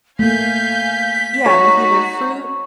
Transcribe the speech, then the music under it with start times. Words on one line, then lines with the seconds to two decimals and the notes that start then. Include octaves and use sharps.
Yeah, with either fruit,
0.19 A3 A#3 F5 G#5 G6 B6
1.46 D#4 F#4 C#5